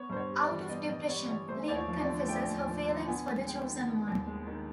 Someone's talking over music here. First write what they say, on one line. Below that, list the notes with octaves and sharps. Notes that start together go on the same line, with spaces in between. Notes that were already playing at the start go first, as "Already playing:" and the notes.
Out of depression, Ling confesses her feelings for The Chosen One.
Already playing: B3 C#5
G2 C5
C#5
G3
D5
E3
B3 D#5
G2 D#5
G3 C#5
E3 C#5
A3 C5
D#2 D5
C#5
F3
D5
D3
A3 G5
D#2
F3
D3
B3 G#5
D#2
G#3 G5
D#3
B3
D#2
G#3
D#3